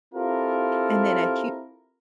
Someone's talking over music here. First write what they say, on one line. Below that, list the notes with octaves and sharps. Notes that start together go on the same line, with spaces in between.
and then a hu
C4 E4 F4 G4 A4 A#4